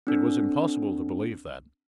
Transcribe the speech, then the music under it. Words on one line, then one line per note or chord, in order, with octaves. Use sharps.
It was impossible to believe that.
C4 D4 A4